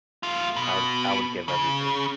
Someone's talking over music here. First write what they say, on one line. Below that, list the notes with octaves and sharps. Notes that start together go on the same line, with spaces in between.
I would I would give everything.
A3 F4
B2
C#3